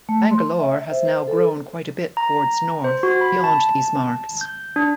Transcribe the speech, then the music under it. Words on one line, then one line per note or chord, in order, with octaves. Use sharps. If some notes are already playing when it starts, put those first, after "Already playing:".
Bangalore has now grown quite a bit towards north, beyond these marks.
A3
C6
E5
E5
C5
C5
A4
A#5
C5
F#4
B5
A5
G6
D4